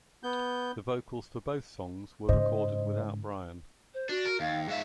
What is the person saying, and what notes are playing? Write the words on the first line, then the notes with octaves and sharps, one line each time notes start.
The vocals for both songs were recorded without Brian.
B3 G6
G#2 C#3 C5 D#5
C5
D4 F#4
A#4
D#2 F5
G#2 E5 F5